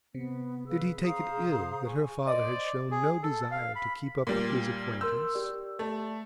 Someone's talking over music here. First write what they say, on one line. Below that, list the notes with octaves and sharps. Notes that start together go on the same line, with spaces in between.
Did he take it ill that her father had shown no desire to keep up his acquaintance?
C3 B3
G#4 B4 F5 E6
C5 F5 A#5 D#6
G#5 C#6
C5 D5 D#5 C6
G#4
A4
F5
B5
A#2 G3 A#3
A#4 C6 E6 G6
G4 D5
A3